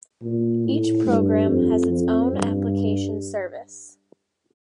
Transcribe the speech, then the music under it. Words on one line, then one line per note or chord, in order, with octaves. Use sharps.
Each program has its own application service.
A#2
A2
G2
F2
F2
G2